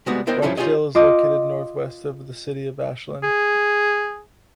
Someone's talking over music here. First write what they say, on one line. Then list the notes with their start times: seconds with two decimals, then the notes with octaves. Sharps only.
Barksdale is located northwest of the city of Ashland.
0.06 C3 G3 G#3 B3 F#4
0.27 B3 E4 A#4 C5 D#5 G5
0.42 G2 F3 C#4 E4 A4
0.57 F4 G4 G#4 C#5 D#5
0.95 F4 D#5 D6
3.23 G#4